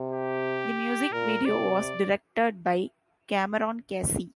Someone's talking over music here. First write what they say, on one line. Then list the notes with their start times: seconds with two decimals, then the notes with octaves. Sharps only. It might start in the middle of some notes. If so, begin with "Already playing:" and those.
The music video was directed by Cameron Casey.
Already playing: C3
0.12 G4
1.12 A#2 A#4
1.45 C3 D5